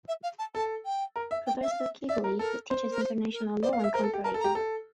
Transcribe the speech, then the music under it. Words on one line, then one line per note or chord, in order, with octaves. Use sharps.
Professor Quigley teaches international law and comparative law.
E5
F5
A5
A4 A5
G5
A#4
E5
G5
E5
F5
E5
D5 E5
A#4
A4 A#4
C5
A#4
C5
A#4
C5 D5
F5
A#4
E5
A#4 C5
A4
G4
A#4 A5
A4
G4 A#5
A4